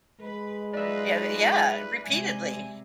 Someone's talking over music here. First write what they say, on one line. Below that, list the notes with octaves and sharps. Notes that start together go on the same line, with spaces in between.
Yeah, th yeah, repeatedly.
G#3 B4
F#3 D#4 F4 B4 D5 E5
C3 G3 G#3 G#5